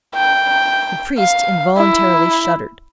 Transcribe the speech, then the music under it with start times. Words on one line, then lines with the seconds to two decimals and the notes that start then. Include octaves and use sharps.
The priest involuntarily shuddered.
0.15 G5
1.17 F5
1.77 E4